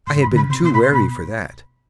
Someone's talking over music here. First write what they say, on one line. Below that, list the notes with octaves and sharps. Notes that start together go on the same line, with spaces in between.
I had been too wary for that.
A2 C6
G#2
B5
G#2
D3
C#3 B5
C3 C6
B2 C6
B5
C6
B2 B5